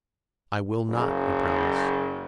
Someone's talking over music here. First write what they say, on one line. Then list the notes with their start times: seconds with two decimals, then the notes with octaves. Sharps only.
"I will not," he promised.
0.88 F#1